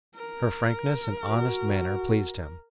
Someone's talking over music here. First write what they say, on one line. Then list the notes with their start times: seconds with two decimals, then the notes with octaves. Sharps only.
Her frankness and honest manner pleased him.
0.15 A#4
1.27 F#4